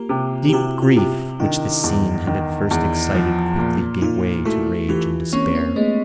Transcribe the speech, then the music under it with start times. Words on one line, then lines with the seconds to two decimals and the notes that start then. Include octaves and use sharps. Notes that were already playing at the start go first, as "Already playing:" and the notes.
The deep grief which this scene had at first excited quickly gave way to rage and despair.
Already playing: A#3 F4 G4
0.09 C3
0.49 G4
0.52 C3 E4 F#4
0.82 F4 G4
0.96 C3
1.40 D#3 D4 E4
1.84 E2
2.27 D#3
2.71 E2
3.15 F3
3.58 A#2
4.01 A#2 D#4 F4
4.45 A3 E4 F#4
4.89 E3 F4 G4
5.33 A#3 C4 C#4
5.55 A#3 C4
5.76 G#3 A3 B3